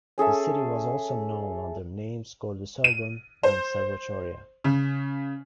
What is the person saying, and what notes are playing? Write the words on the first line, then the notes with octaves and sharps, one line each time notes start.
The city was also known under names Gordoserbon and Servochoria.
C#4 G#4 A4 E5
D#7
C5
C#3